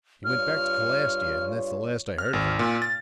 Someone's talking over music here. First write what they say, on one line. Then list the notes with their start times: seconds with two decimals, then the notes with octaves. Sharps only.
"He went back to Calastia, and that's the last I heard of him."
0.25 G2 F4 C#5 F6
2.18 F6
2.33 G#1
2.59 A#2
2.82 A6